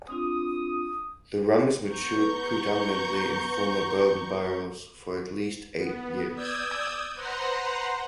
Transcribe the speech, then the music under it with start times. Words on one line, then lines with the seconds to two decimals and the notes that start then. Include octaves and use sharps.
The rum is matured predominately in former bourbon barrels for at least eight years.
0.08 C4 D4 F4 D#6
1.87 B3 A#5 C#6 G6
5.77 B3
6.34 D5 D#6 E6 G6 G#6
7.14 B4 C5 F#5 A#5 C6